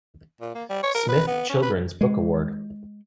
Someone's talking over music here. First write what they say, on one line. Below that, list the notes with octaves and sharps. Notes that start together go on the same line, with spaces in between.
Smith Children's Book Award.
A#2
A#3
G3
C#5
A#4
B4
B3
C#4
B4
G#3